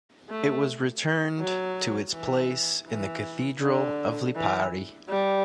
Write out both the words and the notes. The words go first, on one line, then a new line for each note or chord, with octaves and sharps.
It was returned to its place in the Cathedral of Lipari.
A3
F#3
E3
E3
D3
E3
G3